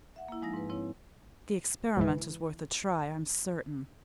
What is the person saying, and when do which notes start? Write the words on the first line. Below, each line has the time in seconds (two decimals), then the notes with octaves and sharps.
The experiment is worth a try I'm certain.
0.16 E5 F#5
0.28 A#3 E4
0.42 F3 G#3 D#4 A#6
0.54 G#2 B4
0.70 C4 E4 C#5
1.97 C#2 G#2 E3